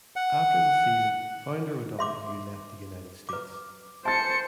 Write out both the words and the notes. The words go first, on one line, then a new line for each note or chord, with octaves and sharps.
After the season founder O'Donoghue left the United States.
F#5
E5 C6 D6
B4 D6
C5 G#5 A5 A6 C#7